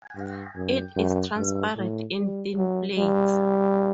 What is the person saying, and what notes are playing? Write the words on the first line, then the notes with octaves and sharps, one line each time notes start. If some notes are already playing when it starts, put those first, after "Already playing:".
It is transparent in thin plates.
G2
F#2
F#2
G2
A2
G3
F#3
G3